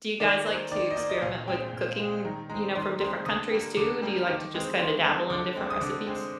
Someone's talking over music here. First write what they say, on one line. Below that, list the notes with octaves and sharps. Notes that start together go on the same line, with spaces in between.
do you guys like to experiment with cooking, you know, from different countries, too? Do you like to just kinda dabble in different recipes?
D#3 D5
A#3 C5
D#3 D5
D#5
A#3 D5
D#5
A#2 F5
G#3 C4 G5
A#2
G#3 C4
D#3 A#5
G#3 C4 A#5
D#3 C6
G#3 C4 C6
D3 D#6
G3 A#3
D3 D6
G3 A#3
D#3
G#3 C4
D#3 C6
G#3 C4
D3 D6
G#3 C4
D#6
D3 D6
G#3 C4